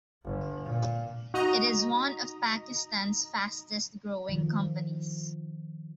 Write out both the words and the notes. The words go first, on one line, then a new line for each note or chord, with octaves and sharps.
It is one of Pakistan's fastest growing companies.
G1
A#2
D#4 F#4 D#5 A#5
D#3 F3